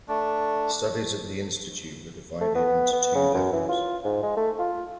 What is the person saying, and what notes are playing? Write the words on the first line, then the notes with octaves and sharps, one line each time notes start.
Studies at the Institute were divided into two levels.
A3 D4
A3
B3
B3
C#3
F#2
E3
F4
G#2
G#3
A3
F4